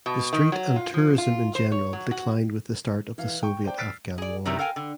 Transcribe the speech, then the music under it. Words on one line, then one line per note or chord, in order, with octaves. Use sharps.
The street and tourism in general declined with the start of the Soviet–Afghan War.
B2
D#3
F#3
F4
F3
F4
C5
C#5
F#3
F#4
E3 F5
G5 C#6
C5 D5 G5
E6 F6 A6 B6 C7 D7
G#4 D5
C3 D#3 G3 C4 D#4 E4
A4 A#4 F5 G5 G#5
D3